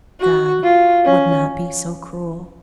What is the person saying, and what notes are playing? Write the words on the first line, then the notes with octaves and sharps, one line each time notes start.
God would not be so cruel.
F#4
F4
C#4